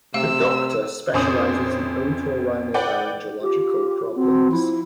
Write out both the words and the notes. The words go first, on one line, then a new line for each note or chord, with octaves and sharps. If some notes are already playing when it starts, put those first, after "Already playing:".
The doctor specializes in Otorhinolaryngological problems.
C3 A3 F5 E6
A#1 F2 C#4 C5 D6 D#6
B4 D5 F#5 G5
F4 G4
C4 F#4
F3 E4